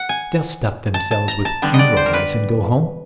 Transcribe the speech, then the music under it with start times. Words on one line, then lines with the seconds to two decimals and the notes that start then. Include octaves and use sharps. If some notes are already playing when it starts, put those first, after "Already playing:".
They'll stuff themselves with funeral rice and go home....
Already playing: F#5
0.09 G#5
0.94 A5
1.11 A5
1.28 A#5
1.45 A5
1.62 D3 G3 B3
1.74 D#5
1.79 D5
1.97 C5
2.06 A#4
2.13 B4